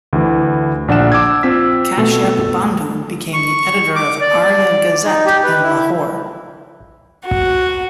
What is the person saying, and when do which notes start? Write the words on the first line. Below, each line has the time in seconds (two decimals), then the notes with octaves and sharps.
Kashyap Bandhu became the editor of Arya Gazette in Lahore.
0.13 D2 E3
0.88 A#1 D4 F#5 E7
1.12 D6 E6 G#6
1.43 C4 F4 E6 B6
1.97 B2 A3 A4
3.34 C#6
3.96 D6
4.21 D5
5.06 D#4
5.26 G4
5.44 B4
5.63 E4
7.27 F#4